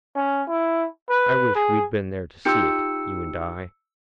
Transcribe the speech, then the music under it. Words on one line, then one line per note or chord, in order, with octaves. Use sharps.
I wish we had been there to see it, you and I.
C#4
E4
B4
G#4
D#4 F4 G4 E6 C#7